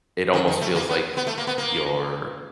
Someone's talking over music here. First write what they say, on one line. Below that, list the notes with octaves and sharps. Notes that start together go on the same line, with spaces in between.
"it almost feels like you're
D#3
D#3
A3
A#3
B3
B3
A3
A#3
B3
A#3